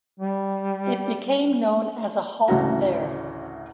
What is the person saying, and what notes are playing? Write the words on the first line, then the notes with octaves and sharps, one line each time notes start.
It became known as a halt there.
G3
A1 D2 C#3 C#4 F#4 A#5